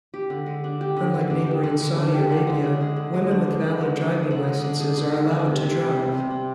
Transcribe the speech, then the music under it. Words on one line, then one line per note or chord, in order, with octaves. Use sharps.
Unlike neighboring Saudi Arabia, women with valid driving licences are allowed to drive.
G4
D3
G#3
D4
G4
D3
G#3
D4
G4
D3
G#3
D4
G4
D3
G#3
D4
G#4
D3
G#3
D4
G#4
D3
G#3
D4
G#4
D3
G#3
D4
G#4
D3
G#3
D4
C3
C3
G3
C4
C3
C3